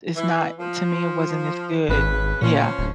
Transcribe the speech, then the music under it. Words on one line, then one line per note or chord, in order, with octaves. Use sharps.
it's not to me it wasn't as good. Yeah,
E3
F3
G#1 C#3 B4
A#2 F3 C#4
D1